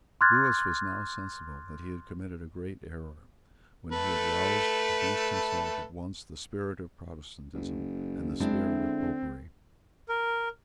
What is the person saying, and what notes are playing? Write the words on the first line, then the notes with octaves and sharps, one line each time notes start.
Lewis was now sensible that he had committed a great error when he had roused against himself at once the spirit of Protestantism and the spirit of Popery.
C6 D6 F6 F#6 G#6 A6
A3 A4 B4
F#1
G#3 C4 D4 E4
D3
A#4